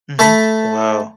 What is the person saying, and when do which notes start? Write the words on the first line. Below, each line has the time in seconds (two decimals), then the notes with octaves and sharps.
Mhm, wow.
0.19 A3 A4 B5